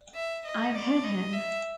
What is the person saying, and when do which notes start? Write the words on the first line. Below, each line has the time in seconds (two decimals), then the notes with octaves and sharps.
I've hit him.
0.14 E5
0.45 D#5
0.74 D5
1.03 D#5
1.33 E5